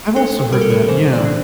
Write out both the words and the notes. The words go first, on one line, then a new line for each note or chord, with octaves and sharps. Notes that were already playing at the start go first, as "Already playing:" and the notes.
I've also heard that, yeah.
D4 A4
G3 A#4
A4
A#4
E3 C5
D5
D4